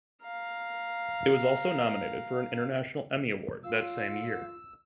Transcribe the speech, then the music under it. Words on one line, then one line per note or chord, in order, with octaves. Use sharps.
It was also nominated for an International Emmy Award that same year.
F5 A#5
F4 F5 E6